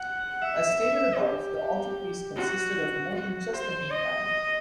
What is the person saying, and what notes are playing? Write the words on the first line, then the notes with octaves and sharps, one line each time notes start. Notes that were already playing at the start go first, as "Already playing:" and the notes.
As stated above, the altarpiece consisted of more than just the main panel.
Already playing: F#5
E5
G4
F#4
F#4
C5
D#5